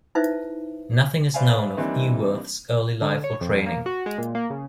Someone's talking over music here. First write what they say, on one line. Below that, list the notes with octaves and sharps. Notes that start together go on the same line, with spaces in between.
Nothing is known of Eworth's early life or training.
D#4 E4 B4 C5 E5
B4 C5 D5 E5 F5 G#5
E3 G3 A#3 C4 D4 D#4
D3
C#5
F2
A#3
F#4
G#3
A#2
A#3
C#3